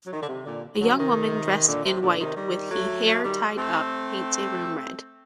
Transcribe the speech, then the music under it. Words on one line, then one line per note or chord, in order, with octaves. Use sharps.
A young woman dressed in white with he hair tied up paints a room red.
F#3
D#3
D3
C3
A#2 D3
D3 F#3
C3 D#3
A#2 D3
C3
A#2 D3
C3 D#3
D#3 G3
F#3 A3
F#3 A3
D#3 G3
A3 C4